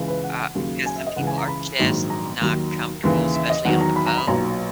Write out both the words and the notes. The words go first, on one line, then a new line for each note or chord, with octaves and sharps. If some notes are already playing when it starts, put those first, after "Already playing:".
uh, 'cause some people are just not comfortable, especially on the phone.
Already playing: C#2 C#3 E3
B4
F#5
D#2 C#3 F#3
G#5
E5
D#5
C#2 C#3 E3 F#5
G#5
A#5
B5
A#1 G#2 D#3 F#3
A#5
D#2 D#3 F#3
D#2 C#3 E3
E5
D#5
E2 D#3 F#3 F#5
A#5
B5
A#5
B5
B1 A#2 F#3 A#5